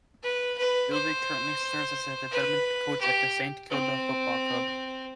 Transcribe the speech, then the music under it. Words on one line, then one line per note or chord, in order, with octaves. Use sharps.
Gilbee currently serves as a development coach at the Saint Kilda Football Club.
B4
B4
C5
B4
G4
C4